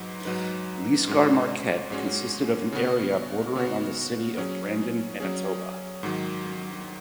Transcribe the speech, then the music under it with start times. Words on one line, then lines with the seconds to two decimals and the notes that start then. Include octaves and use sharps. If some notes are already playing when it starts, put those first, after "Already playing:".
Lisgar-Marquette consisted of an area bordering on the City of Brandon, Manitoba.
Already playing: G#2 F#3 D#4 B4
0.25 G#2 F#3 D#4 B4
1.07 G#2 G#3 C#4 F#4
1.90 G#2 G#3 C#4 F#4
2.72 C#3 B3 F#4
3.55 C#3 B3 F#4
4.38 F#3 C#4 G#4
5.20 F#3 C#4 G#4
6.03 G#2 D#3 F#3